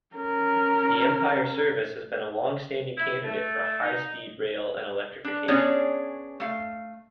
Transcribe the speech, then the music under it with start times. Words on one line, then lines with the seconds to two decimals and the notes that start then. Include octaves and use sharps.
The Empire Service has been a long-standing candidate for high-speed rail and electrification.
0.15 C#4 A#4
2.97 E4
3.25 A3
3.81 D#4
5.24 D4
5.48 B3 C#4 D4 G#4 C#5 D#5
6.40 A3 F5